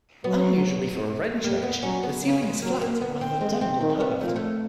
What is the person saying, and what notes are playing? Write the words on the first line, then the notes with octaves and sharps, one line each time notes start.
Unusually for a Wren church, the ceiling is flat rather than domed or curved.
F#3 B3
G3 A#3
B3
F#3 C#4
B3
C#3
G#3
F#3 A#3
A#3
B3
C4
G#3 C4
C4
D#3 C4
B3
F3 A3
A#3
A3